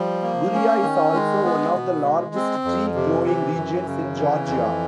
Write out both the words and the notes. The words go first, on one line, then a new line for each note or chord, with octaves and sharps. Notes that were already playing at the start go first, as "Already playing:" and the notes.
Guria is also one of the largest tea growing regions in Georgia.
Already playing: F3 G3
A#3
C#4
D#3
G#3
B3
B2
G#3
C4
F2
C3
E3
F#2
C#3
E3
F2